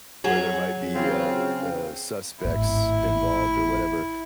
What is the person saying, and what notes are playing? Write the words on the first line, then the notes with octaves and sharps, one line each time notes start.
where there might be, uh uh, suspects involved or whatever,
F#3 G#4 C#5
C#3 C4 F4
G#1 A2 E4